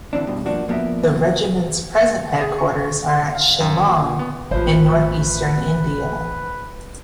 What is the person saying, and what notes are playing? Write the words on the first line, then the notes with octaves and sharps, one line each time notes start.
The regiment's present headquarters are at Shillong, in North-Eastern India.
D3 E3 C4 D4
D2 G2 B2 D3
F3 A#3 D4 F#4
F3 A#3 B3 A4 A#4 E5
G#4
C#6
C6
F5
F#2
A#2
B3
A1 F3 B4 C5